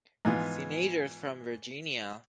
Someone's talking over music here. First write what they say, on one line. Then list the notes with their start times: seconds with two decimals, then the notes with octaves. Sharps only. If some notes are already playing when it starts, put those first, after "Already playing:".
Senators from Virginia.
0.25 G#2 E3 F3 B3 F4